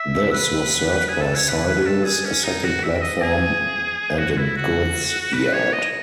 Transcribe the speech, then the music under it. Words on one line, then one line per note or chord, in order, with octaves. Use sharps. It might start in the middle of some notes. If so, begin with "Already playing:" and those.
This was served by sidings, a second platform and a goods yard.
Already playing: E5
B4
G#4
A4
C#5
B4
B4
A4
G#4
C#4
D#4
F#4
E5
D#5
G#4
F#4
E4
F#4
B4
C#5
D#5